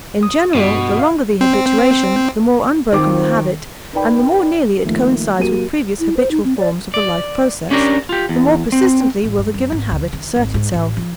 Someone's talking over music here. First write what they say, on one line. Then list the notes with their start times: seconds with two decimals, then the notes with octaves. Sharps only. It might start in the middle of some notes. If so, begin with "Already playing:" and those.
In general, the longer the habituation, the more unbroken the habit, and the more nearly it coincides with previous habitual forms of the life process, the more persistently will the given habit assert itself.
0.23 D#6
0.55 G2 B2
0.99 F5
1.41 C4
2.92 D#3 C4 F4 D6
3.93 D#4 A#4 B4 D5 G5 B5
4.84 D#3 F3 A3 A#3
5.38 F#3 A#3 F#4 G4 D#7
6.00 E4
6.17 C5
6.31 D#4
6.44 C4
6.58 D5
6.94 D5
7.71 C#4 D4 G4 A#4
8.09 F4 G4
8.29 E2
8.72 C4
9.24 A1
9.38 G2
9.54 F#2
9.72 G#1
9.91 D2
10.13 D#3
10.36 G#1
10.54 G#2
10.74 A1
10.97 F3